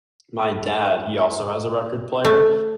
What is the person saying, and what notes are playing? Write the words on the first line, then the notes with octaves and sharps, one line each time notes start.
my dad, he also has a record player,
A3